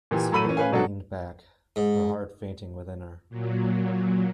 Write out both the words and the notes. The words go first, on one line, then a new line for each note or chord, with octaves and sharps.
Celia leaned back, her heart fainting within her.
A#2 E3 G4 G#5
F#3 A3 B5 E6 D#7
E3 C#4
C#4 B4 C#5 F5 G#5
B2 F#3 D4 F#4 A4
G#2
A#2 F#3